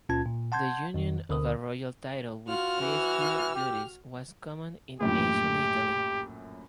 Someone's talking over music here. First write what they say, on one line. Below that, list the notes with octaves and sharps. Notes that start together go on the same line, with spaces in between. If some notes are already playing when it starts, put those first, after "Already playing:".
The union of a royal title with priestly duties was common in ancient Italy.
C#2 A#2 C#4 F4 A5 G#6
A#2
F#5 A5 C6 G6 G#6
F2 D#3
D2 D3 A#4 D#6
F4 F#4 F6
E3
G4
A#1 F#2 A2 G4